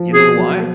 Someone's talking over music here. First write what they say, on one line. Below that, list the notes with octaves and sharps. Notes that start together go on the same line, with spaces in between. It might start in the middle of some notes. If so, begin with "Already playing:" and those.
you know why?
Already playing: F3
B2 G#4
F#3